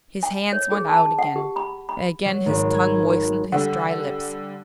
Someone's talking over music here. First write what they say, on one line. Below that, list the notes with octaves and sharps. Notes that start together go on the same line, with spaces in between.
His hands went out again--again his tongue moistened his dry lips.
G#5
C#5
G#4
A5
F#5
G4
B5
B5
F#3
G#1
G#6
D3 G3 F#5